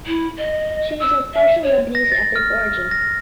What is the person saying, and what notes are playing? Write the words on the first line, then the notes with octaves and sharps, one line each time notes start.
She is of partial Lebanese ethnic origin.
E4
D#5
E6
E5
C#5
A#6
A6
F6
A#6